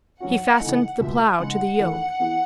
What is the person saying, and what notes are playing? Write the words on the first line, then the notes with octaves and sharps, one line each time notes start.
He fastened the plow to the yoke.
G#2 F#3 C#4 F#4 F#5
C#3 E3 A3 D#4
C#2 B2 G#3 E5
C#3 G#3 D#4 F#5
E2 D#3 A3 E4 A4
E3 B3 E4 G#4